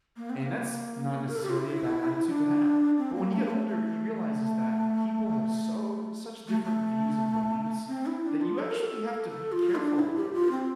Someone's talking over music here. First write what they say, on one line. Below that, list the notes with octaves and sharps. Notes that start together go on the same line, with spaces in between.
And that's not necessarily a bad attitude to have. But when you get older, you realize is that people have so such different views and beliefs, that you actually have to be careful a little bit,
A#3
C4
A#3
A#4
A4
G4
F4
E4
D4
C4
A#3
A3
A#3
A3
A3
A3
A3
C4
E4
D4
F4
A4
A#4
A4
A4
F4
D4
E4
G4
F4
C4